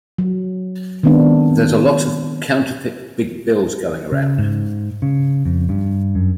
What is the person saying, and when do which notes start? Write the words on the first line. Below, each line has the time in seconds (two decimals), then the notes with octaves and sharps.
There's a lot of counterfeit big bills going around.
0.18 F#3
1.03 D#3 G#3 B3 C4 D4
4.12 C#3
4.38 G#2
5.02 C#3
5.46 F2
5.69 G2
6.15 F#2